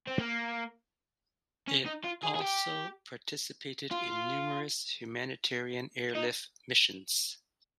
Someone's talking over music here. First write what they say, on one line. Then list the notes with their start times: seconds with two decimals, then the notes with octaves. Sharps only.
It also participated in numerous humanitarian airlift missions.
0.07 C4
0.18 A#3
1.67 C#4
1.86 D#4
2.04 F4
2.23 G#4
2.36 G#4
2.42 G4
3.91 F4
6.15 D#4